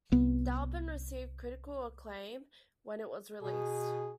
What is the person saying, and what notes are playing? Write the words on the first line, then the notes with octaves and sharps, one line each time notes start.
The album received critical acclaim when it was released.
C2 B3
B2 G#4